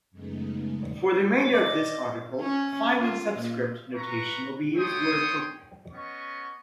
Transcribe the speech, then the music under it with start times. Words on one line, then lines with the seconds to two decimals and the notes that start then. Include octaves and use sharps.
For the remainder of this article, Feynman subscript notation will be used where appropriate.
0.11 F#2 C#3 G#3 A3 B3 D#4
1.53 D5 D#5
2.40 C#4
2.98 F4
3.36 A#2
3.95 B4 A#5 C#6
4.76 A3 C#5 G5 C6 C#6 D#6
5.93 B3 C#4 D#5 C#6